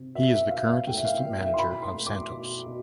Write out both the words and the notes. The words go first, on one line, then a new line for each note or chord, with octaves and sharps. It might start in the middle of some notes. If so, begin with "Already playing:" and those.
He is the current assistant manager of Santos.
Already playing: C3
B2 E5
E5
F5
B2 E5
F5
A3 G5
E5
F5
B2
E5
C6
B2 B5
C6
A3
D6
B2
B2